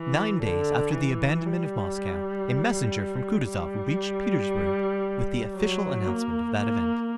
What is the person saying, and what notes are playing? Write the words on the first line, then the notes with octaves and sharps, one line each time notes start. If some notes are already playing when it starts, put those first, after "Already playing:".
Nine days after the abandonment of Moscow, a messenger from Kutuzov reached Petersburg with the official announcement of that event.
Already playing: E3
D3
E3
G3
G3
F#3
A#3
A#3